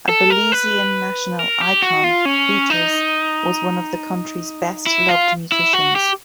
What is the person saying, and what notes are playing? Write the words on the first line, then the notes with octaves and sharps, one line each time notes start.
A Belizean national icon, Peters was one of the country's best loved musicians.
A4
A#4
B4
A#4
G4
F#4
F4
C#4
D#4
E4
F4
E4
F#4
G4